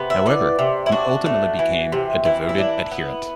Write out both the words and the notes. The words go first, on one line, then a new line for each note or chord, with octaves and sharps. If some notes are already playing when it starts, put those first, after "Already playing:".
However, he ultimately became a devoted adherent.
Already playing: C3 B3
E5
E3 D5
C3
E4
D4 F#4
A3
E3
C3
E3 E4
E4
D4
B3